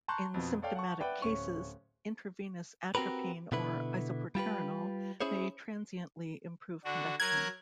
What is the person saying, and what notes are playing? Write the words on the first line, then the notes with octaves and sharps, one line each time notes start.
In symptomatic cases, intravenous atropine or isoproterenol may transiently improve conduction.
A5 A#5 C6 C#6 F#6 G6
F2 B2
A4 C#5 D5 F5 G5
F#5 A5 C#6
B4 D5 E5 F#5 G5
D1 C#4 C#6
C4 F#4 G4 A#4 B4
B2 D3 E4 B4
G3 F4 G4 B4
C#4 E4 G#4 C5 C#5
D3 D4 F#4
F#3 A#4 F#6 G#6